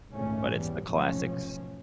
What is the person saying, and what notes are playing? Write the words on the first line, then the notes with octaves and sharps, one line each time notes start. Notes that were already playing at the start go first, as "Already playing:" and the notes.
But it's the classics.
G#1 C#2 A#2 A3 C#4
E2 G3
F1 B1 G#2 F3 C#4